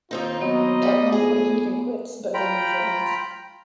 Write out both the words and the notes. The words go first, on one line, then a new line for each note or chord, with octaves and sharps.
At one point he even quits, but then rejoins.
D#2 C4 D#4 F4
F#3 B3 D#5
G3
F2 G#4 G#5
F4 G5 A#5 B5